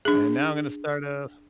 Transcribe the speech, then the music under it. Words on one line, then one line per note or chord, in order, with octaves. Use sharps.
And now I'm gonna start off
D4 G#4